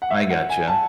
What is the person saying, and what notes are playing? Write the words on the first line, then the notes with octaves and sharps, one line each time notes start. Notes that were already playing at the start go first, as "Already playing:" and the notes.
I gotcha.
F#5
E5
F#5
G#5
A5